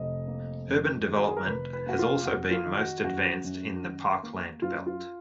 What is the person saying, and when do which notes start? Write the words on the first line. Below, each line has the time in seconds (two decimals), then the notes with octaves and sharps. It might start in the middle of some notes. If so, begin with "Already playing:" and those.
Urban development has also been most advanced in the parkland belt.
Already playing: F1 D#5
0.27 A#3
0.68 F2
1.07 D#3
1.17 F#4
1.26 G#4
1.37 A#4
1.46 F1 B4
1.73 B4
1.86 A#3 F#4
1.99 F4
2.26 F2 F#4
2.51 F4
2.65 D#3
2.78 F#4
3.04 F#2 F#4
3.44 F#2
3.83 D#3
4.23 A#3
4.62 F#2 F4
4.86 F4